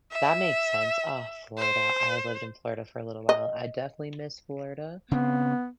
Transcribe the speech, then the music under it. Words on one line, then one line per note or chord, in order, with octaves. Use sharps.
That makes sense. Ah, Florida, I lived in Florida for a little while. I definitely miss Florida.
E5
C5
D#5
C#3 B3 C4